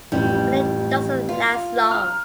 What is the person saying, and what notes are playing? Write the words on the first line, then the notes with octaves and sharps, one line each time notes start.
But it doesn't last long.
A1 F2 G3
F4
A#5 F6